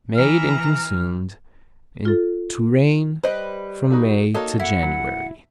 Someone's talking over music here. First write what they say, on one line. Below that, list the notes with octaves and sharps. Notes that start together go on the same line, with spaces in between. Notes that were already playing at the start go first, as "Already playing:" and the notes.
Made and consumed in Touraine from May to January.
E3 A#5 F6
F4 A4
G3 B4 C5 D#5
D#4 F#4 A4
A#3 D#4 F#4 A4 C#5 A5
E4 F#5
F#3